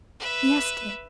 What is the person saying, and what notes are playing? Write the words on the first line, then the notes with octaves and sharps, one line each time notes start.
"Yes, dear."
B4 E5